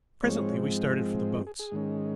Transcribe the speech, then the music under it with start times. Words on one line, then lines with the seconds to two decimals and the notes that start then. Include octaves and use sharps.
Presently we started for the boats.
0.23 G#2 F3 G#3 C4 C#5
1.34 D#5
1.47 G#4
1.59 G#4
1.72 G#2 D#3 G#3 C#4